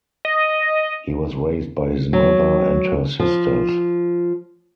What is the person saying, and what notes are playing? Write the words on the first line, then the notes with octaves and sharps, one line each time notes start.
He was raised by his mother and her sisters.
D#5
F#3
F3